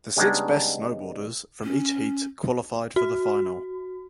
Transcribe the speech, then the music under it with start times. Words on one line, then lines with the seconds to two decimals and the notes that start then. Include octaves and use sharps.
The six best snowboarders from each heat qualified for the final.
0.16 C#3 G3 G#3 B3 D4 D#4
1.64 C#4
2.96 F#4